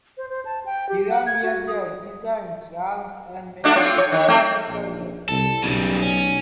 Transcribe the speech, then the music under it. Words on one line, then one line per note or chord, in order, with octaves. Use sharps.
Hiram Yeager designed, runs, and maintains the computer lab.
C5
C5
A5
G5
G4
F#5
G#6
F#4
D#6
A3 D4 F#4
C4 F4 C#5
C#5
D#3
A3 C4
A#1
C2 A4
B1 C#3 G3
C#4